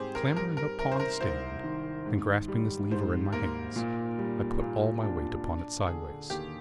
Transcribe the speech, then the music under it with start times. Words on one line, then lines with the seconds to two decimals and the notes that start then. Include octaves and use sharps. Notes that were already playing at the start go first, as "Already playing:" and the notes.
Clambering upon the stand, and grasping this lever in my hands, I put all my weight upon it sideways.
Already playing: G#2 G3 C4 G4 G#4 C5
0.15 A#4
0.37 G3 A#4
0.57 A#4
0.78 C3 A#4
0.92 C5
1.00 A#4
1.21 C2 C5
1.64 D#3
2.06 G#2
2.48 G3
2.91 G#2 C5
3.33 A#3 A#4
3.76 A#2
4.18 G3
4.60 A#2
5.03 D4
5.45 D4
5.87 D3 G#4
6.30 D#2 G4